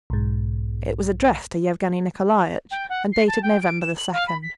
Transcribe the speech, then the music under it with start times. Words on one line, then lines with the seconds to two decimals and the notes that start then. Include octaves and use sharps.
It was addressed to Yevgeny Nikolaitch and dated November the second.
0.10 B1 G#2
2.71 G5
2.89 F#5
3.12 C7
3.27 A5
3.42 G5
3.60 D7
3.81 E7
3.97 F#7
4.12 F5
4.27 B5
4.42 B6